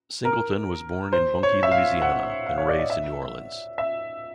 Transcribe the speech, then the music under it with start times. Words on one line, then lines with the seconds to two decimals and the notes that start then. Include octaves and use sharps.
Singleton was born in Bunkie, Louisiana, and raised in New Orleans.
0.25 A#4
1.13 C5
1.43 C#5
1.63 E5
1.71 F5
2.02 F#5
2.46 F5
2.58 C#5
2.69 D5
2.79 D#5
2.90 E5
3.78 E5